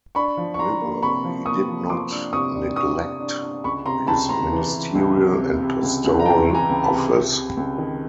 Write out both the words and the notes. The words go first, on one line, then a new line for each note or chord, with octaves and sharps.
Withal he did not neglect his ministerial and pastoral office.
D4 B5 C#6
F3
C#6
D4 A#5 C6
A#3
C3 B5 C#6
F3
A#3 C#6 D#6
F3
F3 C6 D6
D4
C3 C#6 D#6
D4
C3 C#6 D#6
D4
D4
D4
C#2 B5 C#6
C3 A#5 C6
C#2 A5 B5
C#2 A#5 C6
E3
E3
C#2
C3
C3
C3
C#2
C#2
A#5
E3 G5 A5
E3
G#5 A#5
C#2
A5 B5
C3
C3
C3
C#2
D#3